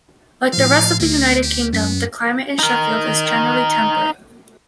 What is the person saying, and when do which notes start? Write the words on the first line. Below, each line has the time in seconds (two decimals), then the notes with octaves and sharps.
Like the rest of the United Kingdom, the climate in Sheffield is generally temperate.
0.53 A2 F3 F5
1.00 D2 A#3
1.43 G4
1.73 F#2 B3
2.59 D#4 A#4